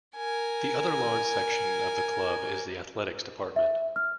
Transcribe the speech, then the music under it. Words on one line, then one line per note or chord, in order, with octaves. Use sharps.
The other large section of the club is the athletics department.
A#4 G#5
E5
F6